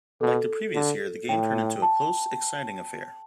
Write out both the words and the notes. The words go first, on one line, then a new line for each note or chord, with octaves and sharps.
Like the previous year the game turned into a close, exciting affair.
B2 A4
D3
A2 G5
A5